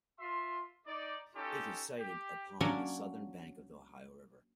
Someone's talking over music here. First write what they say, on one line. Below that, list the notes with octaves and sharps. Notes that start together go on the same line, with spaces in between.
It is sited upon the southern bank of the Ohio River.
F4 E5 C6
D#4 D5
C#4 D#4 F4 G4 A4
G4
F#3 A#3 C#4 D4 A#4 C#5